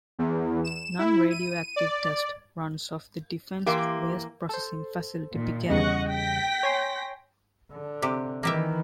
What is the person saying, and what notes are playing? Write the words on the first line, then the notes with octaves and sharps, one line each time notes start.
Non-radioactive test runs of the Defense Waste Processing Facility began.
E2
E7
E4
D#7
D5
E3 A#3 G4 G5 C6 D6
A4 C5
A#2 D#3
E2 C#3 G3 D#5 F#5 C#6
G5 A#6 B6
C#5 G#5 C6
D3
C3 G4
D#3 E3 A#3 G4 E5